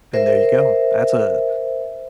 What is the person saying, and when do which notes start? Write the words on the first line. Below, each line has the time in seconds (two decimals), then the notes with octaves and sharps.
then there you go. That's a
0.13 A#4 C5 E5